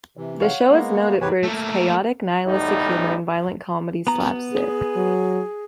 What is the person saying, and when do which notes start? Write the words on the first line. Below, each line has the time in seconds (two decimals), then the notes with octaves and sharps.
The show is noted for its chaotic, nihilistic humour and violent comedy slapstick.
0.17 C3 E3
0.40 C#5 F5 F#5
0.71 G#3 A#3 B3
1.21 E2 G#2 G4 B4 C#5
1.44 A3 A#3
2.46 B1 E2 A2 G3 D#4
4.07 B3 A#5
4.52 G#4
4.96 F#3